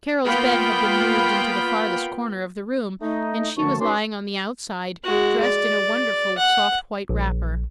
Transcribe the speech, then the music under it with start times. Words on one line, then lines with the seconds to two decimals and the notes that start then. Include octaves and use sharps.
Carol's bed had been moved into the farthest corner of the room, and she was lying on the outside, dressed in a wonderful soft white wrapper.
0.26 A#3 B3 F4 G5 B5
3.01 A3 D#4
3.57 F#2 D3 F3 A3 A5 C#6
3.80 C#4 D#4 F#4 B4 D5 C6
5.04 G#3 F#4
5.43 D5
6.38 F#5
7.09 A#1